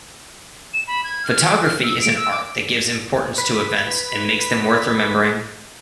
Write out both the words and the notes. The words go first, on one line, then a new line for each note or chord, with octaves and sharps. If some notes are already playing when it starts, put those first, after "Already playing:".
Photography is an art that gives importance to events and makes them worth remembering.
E7
B5
G#6
F6
D6
F6
E6
D7
E6
D6
B4 B6